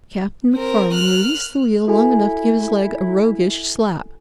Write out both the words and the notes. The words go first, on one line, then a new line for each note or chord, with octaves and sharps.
Captain MacFarland released the wheel long enough to give his leg a roguish slap.
C4 A#4
F6 F#6
E4 F#4 A4 G#5